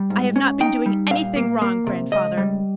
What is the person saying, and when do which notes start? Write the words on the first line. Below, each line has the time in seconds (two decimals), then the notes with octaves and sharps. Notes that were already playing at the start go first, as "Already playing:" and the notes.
"I have not been doing anything wrong, Grandfather."
Already playing: G3
0.10 G#2
0.36 C#4
0.60 D#4 G5
0.86 G3
1.11 A#2 F5
1.36 A#3
1.62 A#3
1.87 C3
2.12 C#2 D#5
2.37 G3